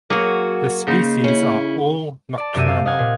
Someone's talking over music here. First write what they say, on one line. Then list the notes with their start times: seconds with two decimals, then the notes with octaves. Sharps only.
The species are all nocturnal.
0.10 F#3 A#3 F#4 G#4 A#4
0.87 C#3 A#3 D#4 C5
1.24 C#4 E4
2.38 D5 A5
2.55 F#2 C3 C4 F#4 E5 D#7
2.68 F5
2.85 D#5 F5 F#5 G#5
2.99 A#2